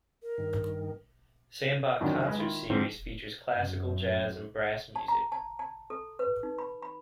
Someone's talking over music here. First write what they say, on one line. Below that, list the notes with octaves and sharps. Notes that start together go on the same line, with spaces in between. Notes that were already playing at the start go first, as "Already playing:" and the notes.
Sandbach Concert Series features classical, jazz and brass music.
A#4
G2 D#3
F2 D3 D#3 F#3 C#4 D4
G#3 B4 D#5 G#5 F#6
D#3 E4 F4
G#2 D3 E3 F3 C4
F#2
A5
A#5
A5
A5
A4
B4
D#4
B5
B5